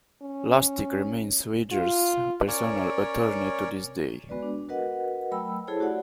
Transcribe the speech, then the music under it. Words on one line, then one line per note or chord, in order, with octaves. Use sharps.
Lustick remains Wegers's personal attorney to this day.
C#4
F4
C#4 A#4 C#5 D5
G#3 B3 F#4 B4 D5
D4
F#4 A#4 B4 D#5 F#5
F#3 A3 G5 B5 E6
E4 G#4 A4 C5 C#5 A5
A3 F#4 G4 C#5 D5 F#5